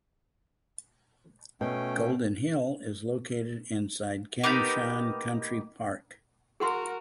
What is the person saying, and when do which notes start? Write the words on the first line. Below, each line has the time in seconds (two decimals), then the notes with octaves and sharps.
Golden Hill is located inside Kam Shan Country Park.
1.61 B2 A3 C#4 G5
4.43 A#3 B3 D#4 G4
6.60 F#4 G#4 A#4 F#5 C6